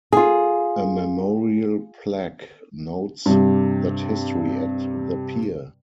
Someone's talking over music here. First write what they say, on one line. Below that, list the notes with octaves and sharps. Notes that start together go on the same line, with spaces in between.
A memorial plaque notes that history at the pier.
F4 G#4
G2 C3